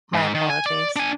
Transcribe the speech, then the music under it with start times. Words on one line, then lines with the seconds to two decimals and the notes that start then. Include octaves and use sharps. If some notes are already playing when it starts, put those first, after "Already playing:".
my apologies.
0.14 G#2
0.35 D#3
0.50 G#5
0.66 D5
0.96 D4 G#5